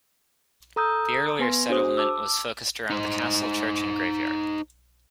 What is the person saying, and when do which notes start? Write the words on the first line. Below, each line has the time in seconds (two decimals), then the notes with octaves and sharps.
The earlier settlement was focused around the castle, church and graveyard.
0.76 A4 A#5 D#6 E6 G6
1.39 B3 B4 G#5 C6 A#6
1.70 D4 F#4 G#4 C5 D#6
1.97 A5 D6 E6
2.90 D#4 C5